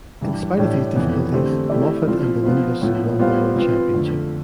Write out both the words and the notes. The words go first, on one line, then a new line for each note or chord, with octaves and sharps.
In spite of these difficulties, Moffat and the Nimbus won the World Championship.
G2 E3 G3
A2 G3 D4
F2 E3 B3
D3 A3 C4 G4 C5
A3 E4 G4 D5
F3 C4 F4 A4
F3 B3 F4 C5
A2 F3 B3
G3 B3 F4 C5 F5
F3 C4 F4 B4
F2 D3 A3